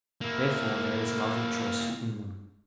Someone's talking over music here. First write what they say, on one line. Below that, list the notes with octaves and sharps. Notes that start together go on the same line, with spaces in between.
Therefore there is love of choice in them.
A#3 E4